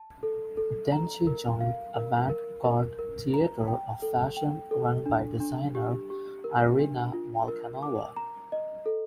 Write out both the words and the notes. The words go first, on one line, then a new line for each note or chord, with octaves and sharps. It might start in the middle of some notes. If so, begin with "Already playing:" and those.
Then she joined Avant-garde Theatre of fashion run by designer Irina Molchanova.
Already playing: A5
A4
A4
A#5
A#4
F5
A#4
A#4
A#4
A#4
A#5
G5
A4
G5
A4
D4
D4
G4
G4
A#4
D4
F4
A#4
D6
A#5
D#5
A4